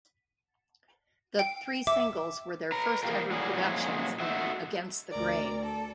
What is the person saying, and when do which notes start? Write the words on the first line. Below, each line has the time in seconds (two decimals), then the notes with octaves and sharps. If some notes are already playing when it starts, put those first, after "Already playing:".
The three singles were their first ever productions in Against the Grain.
1.39 G5
1.87 E5 D6
2.72 B4 A#5
3.03 E3 F3 A#3 F4 G4 A#4
3.31 A2 F#3 G3 G#4
3.54 A#2 F3 F#3 G#3 C#4 E4
4.20 A3 D#4 F#4 E5
5.11 D2 A#4 D5
5.62 A4